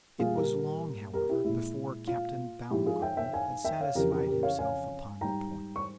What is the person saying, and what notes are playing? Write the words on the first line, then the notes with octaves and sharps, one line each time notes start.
It was long, however, before Captain Baumgarten had satisfied himself upon the point.
A#2 G3 F4 G#4
G4 A#4
G4 A#4
E4 G4
A#2 G#3 E4
F4
G#2 F3 G#3 E4 G4
F4 G#4
E5 G5
E5 G5
F5 G#5
E5 G5
C#5 F5
F2 C#3 E3 G4 A#4
G4 A#4
G4 A#4
C#5 F5
F5 G#5
G#2 G3 G5 A#5
C#6